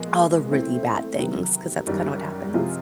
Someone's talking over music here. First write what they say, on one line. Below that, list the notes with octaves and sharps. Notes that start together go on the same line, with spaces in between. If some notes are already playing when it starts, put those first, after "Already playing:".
all the really bad things 'cause that's kinda what happens.
Already playing: A#2 F3 G#3 B3
E3 A3 C4 E4
C3 D#3 F#3 B3
F#2 D#3 G3
C3 F3 G#3 C4 F4